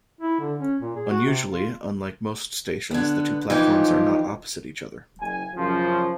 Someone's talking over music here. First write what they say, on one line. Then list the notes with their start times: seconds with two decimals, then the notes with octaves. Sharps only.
Unusually, unlike most stations, the two platforms are not opposite each other.
0.21 E4
0.40 D3
0.60 C#4
0.81 A#2
0.96 G#4
1.10 F#4
1.26 C3
1.50 F4
2.91 D3 B3
3.50 E3 F3 D#4 G4
5.20 F#1 G#5
5.57 F#2 C#3 F3